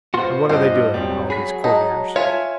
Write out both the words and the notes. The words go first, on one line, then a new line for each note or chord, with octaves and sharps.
And what are they doing, all these courtiers?
A#2 B3 F4 F#4 C5 C6
G2 C5 D#5
E1 F#3 G3 C4
G#4 B5 B6
G#3 D#4 A5
F4 C#5 E5 G#5